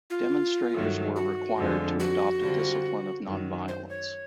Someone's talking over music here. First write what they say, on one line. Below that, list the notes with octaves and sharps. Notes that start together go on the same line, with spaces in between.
Demonstrators were required to adopt a discipline of non-violence.
F4
G2 D#3 F#3 A3
F#4
F2 D3 F3 G#3
F#4
D3 G3 C4 F4
F#2 D#3 F#3
C5
C#5